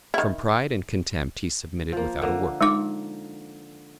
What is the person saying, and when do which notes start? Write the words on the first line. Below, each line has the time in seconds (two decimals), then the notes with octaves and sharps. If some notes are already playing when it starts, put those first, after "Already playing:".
From pride and contempt he submitted without a word.
0.14 D#3 E4
1.93 F3 A#3
2.22 D3 A#3 D#5
2.61 G#3 D#4 D6